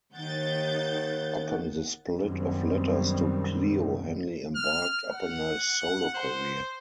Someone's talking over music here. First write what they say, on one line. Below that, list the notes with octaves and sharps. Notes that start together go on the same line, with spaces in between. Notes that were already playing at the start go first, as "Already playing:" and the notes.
Upon the split of Letters to Cleo, Hanley embarked upon a solo career.
D#2 D#3 F#5 G6 A6
F#2 B2 D#3 G3 C4
F6
F#5
C5